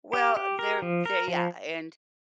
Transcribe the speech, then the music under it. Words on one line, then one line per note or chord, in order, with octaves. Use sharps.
Well, they're they yeah, and,
G4
G4
A#4
F3
A#4
F3